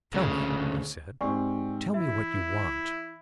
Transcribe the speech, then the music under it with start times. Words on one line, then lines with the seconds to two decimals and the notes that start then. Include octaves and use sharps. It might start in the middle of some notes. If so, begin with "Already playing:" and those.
"Tell me," he said--"tell me what you want?"
0.14 D2 C#3
1.21 G#2 C4 G4 D5 G#5 C#6
1.94 E3 E4 E5